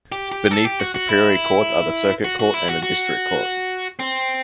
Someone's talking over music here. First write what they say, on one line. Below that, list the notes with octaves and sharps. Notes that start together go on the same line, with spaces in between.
Beneath the superior courts are the Circuit Court and the District Court.
G4
G4
A4
G4
F#4
F#4
E4
F#4
F#4
E4
F#4
F#4
C4